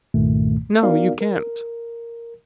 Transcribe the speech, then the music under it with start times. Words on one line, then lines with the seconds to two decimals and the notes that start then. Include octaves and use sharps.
"No, you can't."
0.14 C2 G2 A#2 D#3 A3
0.82 B3 D#4 F#4 A#4 D5 F5
1.21 A#4